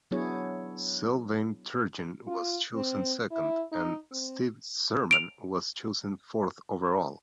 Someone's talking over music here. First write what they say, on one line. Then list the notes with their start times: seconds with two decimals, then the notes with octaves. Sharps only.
Sylvain Turgeon was chosen second and Steve Yzerman was chosen fourth overall.
0.11 F#3 B3 D4 E4 G#4 C#5
2.27 F4
2.75 C4
3.31 E4
3.72 D#4
4.11 C4
5.11 D7 F7